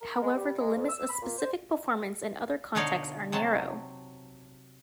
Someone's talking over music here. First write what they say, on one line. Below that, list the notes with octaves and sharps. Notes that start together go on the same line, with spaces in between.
However, the limits of "specific performance" in other contexts are narrow.
A#4
G#3
G3
G#3
F2
E6
B5
A#2
C5
B2 D3 D#4 C#5 D5 F5
C3 F#3 C5 A5